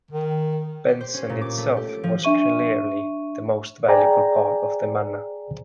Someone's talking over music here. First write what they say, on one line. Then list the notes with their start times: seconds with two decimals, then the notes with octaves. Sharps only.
Benson itself was clearly the most valuable part of the manor.
0.11 D#3
0.88 G4
1.01 C5
1.14 C#4
1.30 A#2
1.42 D6
1.58 A3
1.77 G4
1.89 D7
2.04 F3
2.23 D4 E5 C#6 D#7
3.88 G#4 C5 D5 G5 G#5 A#5